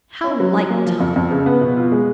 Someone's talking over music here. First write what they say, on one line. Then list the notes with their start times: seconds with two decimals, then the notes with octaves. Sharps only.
How like Tom!
0.24 C#4
0.40 F#3
0.55 F#3
0.70 A#3
0.86 F3
1.00 F2
1.16 F2
1.31 C#3
1.46 B3
1.61 B2
1.77 F4
1.92 G#3